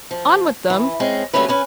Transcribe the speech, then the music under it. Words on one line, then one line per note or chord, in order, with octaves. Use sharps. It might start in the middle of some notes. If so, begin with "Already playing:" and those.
On with them!
F3
E3
G#3 C4 C#4
D2 G3 A3 A#3 C#4 B4
C#4 B4 G#5